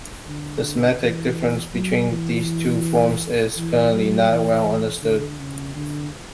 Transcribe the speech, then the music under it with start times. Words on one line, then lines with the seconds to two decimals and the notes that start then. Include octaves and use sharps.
The semantic difference between these two forms is currently not well understood.
0.29 D3
1.02 E3
1.74 F#3
2.12 E3
3.57 E3
3.94 F#3
4.30 E3
5.03 D3
5.39 C#3
5.75 D3